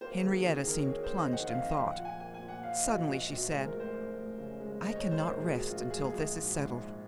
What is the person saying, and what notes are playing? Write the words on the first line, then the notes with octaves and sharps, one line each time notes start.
Henrietta seemed plunged in thought. Suddenly she said, 'I cannot rest until this is settled.
A#3 C5
G#4
D#3
F#4
D#3 F#4
G#4
D#3 A#4
C#5
A#3 G#4
C5
F2
D#5
D#3 F#5
F5
F2
D#5
A#1 F5
F#5
F3
G#5
A#3 G#5
G#5
A#2
F#5
F3 F5
D#5
A#2
F#4
A#1 F#4
A#1
F#4
G#3 C5
A#4
F1
C5
F1
F1
C#3
G#3
D#2 D#5
C#5
G#3
C5
A#1 A#4
G#4
F3
F#4
A#1 F4
F#4
G#3 G#4
G#4
A#1 F#4
G#2
G#2
G#2